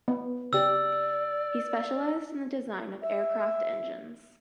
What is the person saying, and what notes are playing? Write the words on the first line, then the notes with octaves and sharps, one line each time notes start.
He specialised in the design of aircraft engines.
B3
C#3 G4 D5 E6
E5